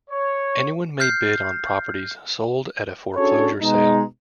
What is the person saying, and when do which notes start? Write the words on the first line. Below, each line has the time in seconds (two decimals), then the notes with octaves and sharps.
Anyone may bid on properties sold at a foreclosure sale.
0.10 C#5
1.00 F6 G6 C7
3.17 C#4 D4 F#4 G#4 A4 C#5
3.61 B2 G#3 D#4